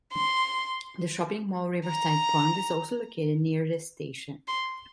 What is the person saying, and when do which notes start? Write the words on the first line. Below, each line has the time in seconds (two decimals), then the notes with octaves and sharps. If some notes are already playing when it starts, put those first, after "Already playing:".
The shopping mall Riverside Point is also located near this station.
0.13 C6
1.87 A#5
4.48 C6